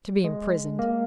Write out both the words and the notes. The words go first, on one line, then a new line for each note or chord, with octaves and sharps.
To be imprisoned.
G#3
A#3